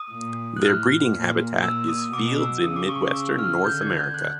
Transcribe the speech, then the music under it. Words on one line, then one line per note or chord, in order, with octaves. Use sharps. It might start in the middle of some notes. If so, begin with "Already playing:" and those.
Their breeding habitat is fields in midwestern North America.
Already playing: D#6
A#2
F#6
A2 F6
A#2
A#2 E6
D#6
B2 D6
E6
C#3 D#6
D6
C#6
D6
E6
F6
D3 G6
G#6
G6
F#6